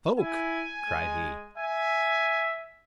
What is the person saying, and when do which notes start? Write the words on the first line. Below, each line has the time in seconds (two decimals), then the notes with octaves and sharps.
"Folk?" cried he.
0.19 E4 G#5
0.89 G#3
1.58 E5 G#5